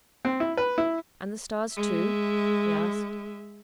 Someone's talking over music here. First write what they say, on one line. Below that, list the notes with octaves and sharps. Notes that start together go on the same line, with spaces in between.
"And the stars, too?" he asked.
C4
E4
B4
E4
G#3 E5